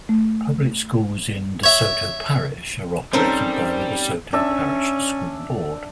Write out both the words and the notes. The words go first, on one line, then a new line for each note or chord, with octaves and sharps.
Public schools in DeSoto Parish are operated by the DeSoto Parish School Board.
A3
C#5 E5
G3 C4 C#4 D#4 A4 A#4 C5
C#4 D4 E5